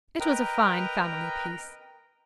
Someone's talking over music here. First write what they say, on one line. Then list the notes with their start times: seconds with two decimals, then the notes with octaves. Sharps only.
It was a fine family-piece.
0.20 A#4 B4 D#5 G5 A#5